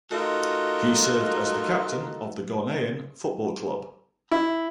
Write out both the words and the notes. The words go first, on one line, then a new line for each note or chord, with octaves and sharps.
He served as the captain of the Ghanaian football club.
A3 D#4 F4 F#4 A#4
E4